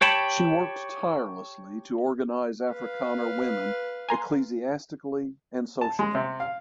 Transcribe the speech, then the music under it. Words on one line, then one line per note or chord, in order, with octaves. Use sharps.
She worked tirelessly to organize Afrikaner women ecclesiastically and socially.
G4 C#5 G5 A5 B5
B4 F5
G#5 A#5 C6
A5
G#3
C3
F5